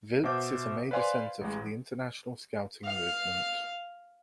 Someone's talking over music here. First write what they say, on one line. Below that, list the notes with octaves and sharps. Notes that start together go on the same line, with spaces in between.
Wiltz is a major centre for the international scouting movement.
B2 C5 E5 D6 G6
B4 C5 D5 F5 G#5 C6
A1 G#3
F5